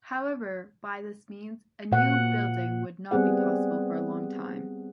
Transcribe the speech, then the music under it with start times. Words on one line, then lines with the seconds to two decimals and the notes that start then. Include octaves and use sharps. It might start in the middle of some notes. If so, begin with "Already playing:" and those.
However, by this means, a new building would not be possible for a long time.
1.92 A#2 F#5
3.11 G3 B3 C4 G#4 F#5